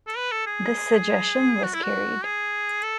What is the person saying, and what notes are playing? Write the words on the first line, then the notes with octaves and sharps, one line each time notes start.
This suggestion was carried.
A4
B4
A4
G#4
F#4
E4
F#4
G#4
A4